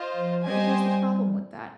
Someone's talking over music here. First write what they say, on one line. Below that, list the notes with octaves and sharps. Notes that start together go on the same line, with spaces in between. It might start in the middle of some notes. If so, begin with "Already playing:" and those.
But here's the problem with that.
Already playing: F4 C5 D#5
F3
G3 G4 C5 D#5 G#5